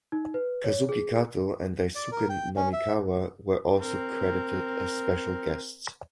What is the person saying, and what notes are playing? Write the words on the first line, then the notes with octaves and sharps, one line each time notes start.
Kazuki Kato and Daisuke Namikawa were also credited as special guests.
D#4
B4
C#5
G#4
D5
A#4
G5
C#4
E5
C4 A#4